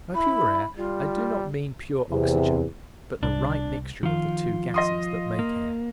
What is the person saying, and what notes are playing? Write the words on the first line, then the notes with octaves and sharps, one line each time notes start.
By pure air I do not mean pure oxygen, but the right mixture of the two gases that make air.
E4 B5
G3 F4
E2 C3
C2 D4
D#3 F3 F4
D#5 C6 D#6
A#3